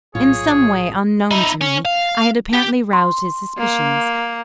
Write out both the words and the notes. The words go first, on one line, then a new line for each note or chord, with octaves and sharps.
In some way unknown to me, I had apparently roused his suspicions.
A#1 A2 F#3 F4 G#4 C#5
D#4 E4
C#4
F5
G4 G5
C6
A#3